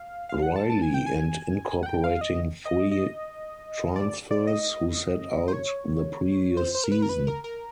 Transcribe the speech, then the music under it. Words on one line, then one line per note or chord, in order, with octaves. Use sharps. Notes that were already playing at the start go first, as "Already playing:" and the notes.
Riley and incorporating three transfers who sat out the previous season.
Already playing: F5
F5
F#5
A5
A5
G#5
G5
G#5
F#5
G5
F5
D#5
D#5
D#5
D5
D5
D#5
C5
C#5
C5
C5
A#4
B4
A#4
B4
A#4
A#4